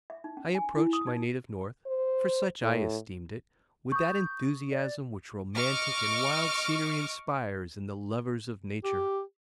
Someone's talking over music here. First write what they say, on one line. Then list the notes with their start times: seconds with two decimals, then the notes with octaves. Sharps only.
I approached my native north, for such I esteemed it, with that enthusiasm which romantic and wild scenery inspires in the lovers of nature.
0.10 E5
0.24 D#4
0.37 C#4
0.55 G#5
0.76 E4
0.93 D#6
1.07 D#4
1.86 C5
2.62 A2
3.92 C#6 D#6 G6
4.71 D5
5.56 D#5 C#6 D6 F6
8.84 G4